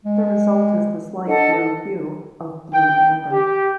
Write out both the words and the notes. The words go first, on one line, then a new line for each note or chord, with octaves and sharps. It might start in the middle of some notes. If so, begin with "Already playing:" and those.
The result is the slight blue hue of blue amber.
G#3
D4 A4 D#5 F#5
G5
G4